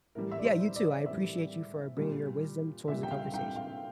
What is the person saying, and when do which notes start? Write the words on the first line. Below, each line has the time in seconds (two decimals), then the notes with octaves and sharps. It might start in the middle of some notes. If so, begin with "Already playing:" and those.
yeah, you too. I appreciate you for bringing your wisdom towards the conversation.
0.15 A2 E3 G3 A#4
0.31 E5
0.39 D5
0.45 C5
0.76 D5
1.06 A2 E3 G3 E5
1.97 A#2 G3
2.88 A#2 G3 E5
3.03 G5
3.11 F5
3.34 G5
3.56 F5